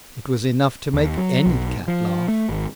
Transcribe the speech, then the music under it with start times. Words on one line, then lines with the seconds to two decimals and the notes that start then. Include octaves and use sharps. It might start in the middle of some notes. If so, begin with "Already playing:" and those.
It was enough to make any cat laugh.
0.94 D#2
1.18 F#3
1.46 B1
1.88 F3
2.28 A3
2.49 G#1